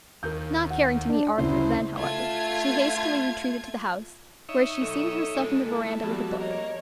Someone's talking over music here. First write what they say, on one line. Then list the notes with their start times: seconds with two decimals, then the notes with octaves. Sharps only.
Not caring to meet Arthur then, however, she hastily retreated to the house, where she seated herself in the veranda with a book.
0.23 D#2 A#4 G6
0.70 F#5
1.09 D4
1.38 D2 C#3 C#4 E4 C5
1.97 A3 F4 G#6
4.49 D#4 C#5 E5
4.81 B1 A4
5.35 F3 G#3
5.68 A3 E4
6.02 F2 G3 B3 F#4 G#4
6.40 A#3 C#5 D#5